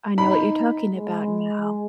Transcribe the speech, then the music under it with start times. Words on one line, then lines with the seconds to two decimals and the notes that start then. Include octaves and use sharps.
I know what you're talking about now.
0.18 D#4 B5
0.93 G#3